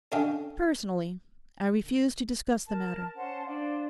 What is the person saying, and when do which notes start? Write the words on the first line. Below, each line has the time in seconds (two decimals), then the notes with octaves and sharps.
Personally, I refuse to discuss the matter.
0.12 C#4 D4 A4 D#5 F5 G5
2.66 A#4 A5
3.16 C#4 C5 F#5 A5
3.46 D4 C5 D5 F5